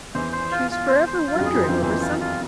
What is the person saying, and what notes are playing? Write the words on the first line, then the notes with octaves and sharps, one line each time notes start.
She was forever wondering over something.
E2 E3 C5
C5
F4
F4
C5
C5
F4
F#3
F2 F3
G#4
F#2 F#3
C5
F2 F3
E2 E3 C5
F4
F4